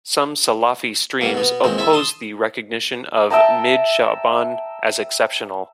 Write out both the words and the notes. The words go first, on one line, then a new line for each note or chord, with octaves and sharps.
Some Salafi streams oppose the recognition of Mid-Sha'ban as exceptional.
B2 G3 A#3
B2 B3
A#2 G#3 C4
E4 A4 E5
A5 C6 D#6
E5 G5 A5 A#5